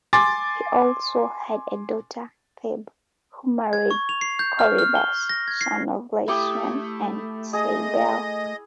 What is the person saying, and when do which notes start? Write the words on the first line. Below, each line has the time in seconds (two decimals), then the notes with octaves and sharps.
He also had a daughter Thebe, who married Corybas, son of Iasion and Cybele.
0.13 G#5 C6 D6 A6
3.73 G#6
3.91 C#6
4.09 F7
4.21 C7
4.39 G6
4.59 F6
4.78 F6
4.95 G7
5.29 A#6
5.48 G#6
5.61 C7
6.28 A3 E4 G4 D#6
7.53 G#4 D#5